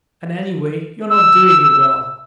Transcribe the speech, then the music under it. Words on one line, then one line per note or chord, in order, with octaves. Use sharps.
And anyway, you're not doing it well.
E6